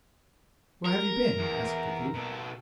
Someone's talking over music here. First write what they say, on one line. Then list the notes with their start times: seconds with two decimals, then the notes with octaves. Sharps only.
'Where have you been?' asked the thief.
0.85 A#4
1.38 E2
2.14 B2 A4